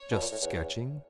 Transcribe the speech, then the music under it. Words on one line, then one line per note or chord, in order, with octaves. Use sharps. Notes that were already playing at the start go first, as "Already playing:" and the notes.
"Just sketching."
Already playing: C#5
B2
A#2
A2
E2